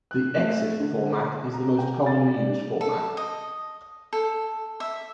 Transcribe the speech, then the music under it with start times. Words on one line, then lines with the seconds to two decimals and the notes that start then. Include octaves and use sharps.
The Exif format is the most commonly used format.
0.11 F#6
0.37 A3
0.80 D3
1.54 A#5
1.79 G5
2.06 A6
2.34 D5
2.81 A4
3.17 D#5
4.13 A4
4.80 E5